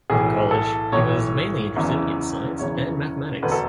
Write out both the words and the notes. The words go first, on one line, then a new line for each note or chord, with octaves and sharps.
In college, he was mainly interested in science and mathematics.
B1 A2 E3 G#4
A4
B1 A2 E3 C#5
F#1 E2 C#3 E3
F#1 E2 C#3 E3 C#5
E1 D2 D3 B4
A4